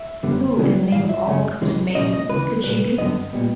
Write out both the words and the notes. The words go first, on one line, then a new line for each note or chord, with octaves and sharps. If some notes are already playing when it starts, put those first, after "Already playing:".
Who, in the name of all that was amazing, could she be?
Already playing: E5
F#2 D3 G3 B3
C#2 C#3 E3 G3 B3
G#2 E3 G#3 F5
E5
F#2 C#3 F#3 A3 C#4
E2 C3 E3 G#3 C#4
C2 A#2 F3 C#4 D#5
D#5
D2 C#3 E3 B4
C2 A#2 G3 B4
G2 D3 F#3 B3 D#5
A#2 G3 B3